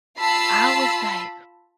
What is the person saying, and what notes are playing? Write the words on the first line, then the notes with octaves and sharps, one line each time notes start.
I was, like
F4 A5 B5 E6 C7